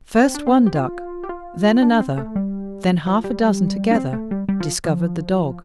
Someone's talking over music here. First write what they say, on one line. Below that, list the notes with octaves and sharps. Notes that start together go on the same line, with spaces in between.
First one duck, then another, then half a dozen together, discovered the dog.
C4
D4
C4
G4
F4
G4
F4
D4
C4
A3
G3
F3
G3
D4
C4
A3
G3
G3
F3
F3